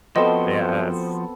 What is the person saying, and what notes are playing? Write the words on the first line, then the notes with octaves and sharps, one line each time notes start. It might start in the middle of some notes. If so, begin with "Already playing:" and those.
Yeah, it's
F3 B3 C4 F#4 A4 C5 D#5 A5